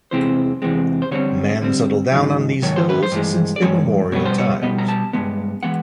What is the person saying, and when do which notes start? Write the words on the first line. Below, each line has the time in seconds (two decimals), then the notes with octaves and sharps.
Man settled down on these hills since immemorial times.
0.11 E2 C3 E3 G#3 C4 C5
0.62 E2 C3 E3 G#3 C4
1.02 C5
1.11 D3 G3 C4 C#5
1.62 D3 G3 C4
2.12 G#2 D#3 F#3
2.62 G#2 D#3 F#3 C#5
2.76 C5
2.89 B4
3.03 C5
3.12 G2 E3 G#3
3.56 D5
3.62 G2 E3 G#3 C#5
4.12 B2 G3 B3 C#5
4.25 C5
4.38 C#5
4.62 B2 G3 B3 D#5
4.78 A#5
4.88 A5
5.13 G2 E3 G#3 B3
5.63 E3 G#3 B3 F#5